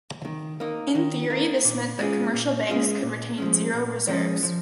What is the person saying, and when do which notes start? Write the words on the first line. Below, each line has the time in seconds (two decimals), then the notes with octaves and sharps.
In theory this meant that commercial banks could retain zero reserves.
0.25 D#3
0.60 A#3 D#4
0.95 D#3
1.30 A#3 D#4
1.65 A#2
1.99 G#3 C#4 F4 G#4
2.34 A#2
2.69 G#3 C#4 F4 G#4
3.03 A#2
3.38 F3 G#3 C#4
3.73 A#2
4.08 F3 G#3 C#4
4.43 F3